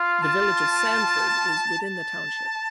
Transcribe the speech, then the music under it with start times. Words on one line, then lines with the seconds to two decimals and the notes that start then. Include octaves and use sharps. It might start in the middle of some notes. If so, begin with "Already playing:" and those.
The village of Sanford is within the township.
Already playing: F4 F5
0.23 A5
1.80 A5